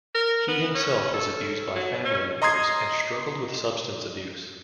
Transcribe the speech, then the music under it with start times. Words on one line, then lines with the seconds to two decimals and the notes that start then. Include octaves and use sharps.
He himself was abused by family members and struggled with substance abuse.
0.15 A#4
0.48 B3
0.75 C#4
1.14 A4
1.76 F#3
2.05 C#4
2.42 D#5 A#5 C6 D#6 G#6 C7